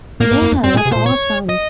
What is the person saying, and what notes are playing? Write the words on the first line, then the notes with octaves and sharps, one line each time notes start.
Yeah, that's awesome.
A#2 A#3
G#2
F#2
F2
F#2 C4
A#2
G#4
C3
A#2 C5
C#5
D#5